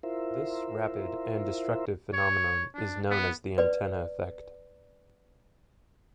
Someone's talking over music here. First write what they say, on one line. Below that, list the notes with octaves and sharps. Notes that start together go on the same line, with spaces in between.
This rapid and destructive phenomenon is known as the antenna effect.
E4 F4 A#4 C5 E5
C#5
D4
B3
B4 D5